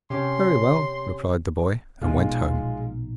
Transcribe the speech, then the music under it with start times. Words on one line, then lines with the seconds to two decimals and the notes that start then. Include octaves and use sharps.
'Very well,' replied the boy, and went home.
0.10 C3 C#4 G4 C6
2.02 A#1 B2 G#3 D#4 F4